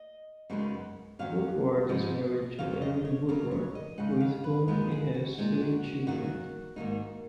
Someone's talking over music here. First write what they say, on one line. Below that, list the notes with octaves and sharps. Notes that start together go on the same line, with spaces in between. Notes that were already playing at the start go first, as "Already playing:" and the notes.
Woodward is married to Erin Woodward, with whom he has three children.
Already playing: D#5
F#2 C#3 G#3 B3 D#4
F2 D#3 F#3 C#4 F5
G#2 F3 G#3 B3 D#4
F2 D#3 F#3 F5
D#5
C#5
F#2 C#3 F#3 A#4
C#5
D#5
C#3 G#3 D#4 F#5
F5
B4
A#2 G#3 B3 D#4 A#4
G#4
F#4
A#2 G#3 D#4
F#4
F#4
F#2 D#3 A#3 D#4 F#4
G#2 D#3 A#3 D#4